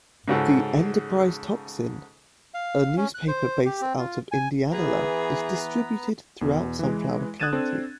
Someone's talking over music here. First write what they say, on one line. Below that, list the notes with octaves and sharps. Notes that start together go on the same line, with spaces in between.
"The Enterprise-Tocsin", a newspaper based out of Indianola, is distributed throughout Sunflower County.
G#2 C#3 F#4 A4
F5
C#4
F#6
C5
G4
C4
F4
G#5
E3 B3 G#4 B4 A#5
E2 B2
E3 G#3
D#6 F#6 G#6 A6 D#7 E7
C4 D4 A4